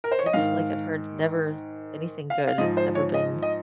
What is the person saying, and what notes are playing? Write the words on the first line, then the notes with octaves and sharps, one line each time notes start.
I just feel like I've heard never anything good has ever been
A#4
C5
C#5
D#5
G#2 D#3 F5
F5
F5
G#2 F3 D#5
C5
C#5
D#5
D#5